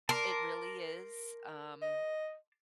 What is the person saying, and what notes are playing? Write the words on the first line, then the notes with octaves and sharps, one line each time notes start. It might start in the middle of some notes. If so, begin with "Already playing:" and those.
it really is, um,
A#4 A5 C6 D6
D#5